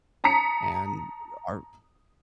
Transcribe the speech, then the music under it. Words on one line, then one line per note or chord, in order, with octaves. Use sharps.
and our
A5 A#5 D#6 B6 C#7